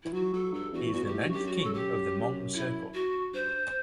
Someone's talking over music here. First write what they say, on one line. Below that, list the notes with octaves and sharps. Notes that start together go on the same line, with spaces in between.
He is the ninth king of the Mong circle.
E3 E4
F#3 F#4
F#3 A4
G2 A4
E2 F#4
E2 F#4
B2 G4
A2
G2 F#4
F#2 G4
F#4
A4
G4
E4
F#4
G2 C5